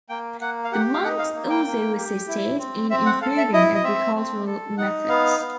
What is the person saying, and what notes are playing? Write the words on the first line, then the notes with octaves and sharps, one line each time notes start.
The monks also assisted in improving agricultural methods.
A#3 G5
A#3 F#5
F5
G4 F#5
F5
D#4 F#5
F5
A#3
G5
A#3
G4
E4
C4
C4 E5
F#5
A4 F5
E5
E4 D#5
D#5
C4 E5
C4
A4
D#4 F#5
B3 F5
B3